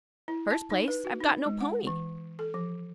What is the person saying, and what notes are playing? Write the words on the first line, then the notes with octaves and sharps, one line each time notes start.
"First place, I've got no pony."
E4
A5
D#4
B4
F#4
D#4
G#3
F#5
E3
A4
F3